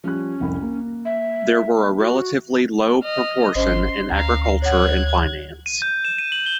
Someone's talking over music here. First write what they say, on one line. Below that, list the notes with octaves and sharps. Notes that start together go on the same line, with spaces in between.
There were a relatively low proportion in agriculture and finance.
F3 G3 C#4 F#6
F1 C2 B5
A#3
E5
F#4
D#5 F6
G#1 C#4 C5 D#5 C6
D2 F5 A#5
C#5 F#5 F#6 G#6
D#7
G6
E7
D#7
F#7
G7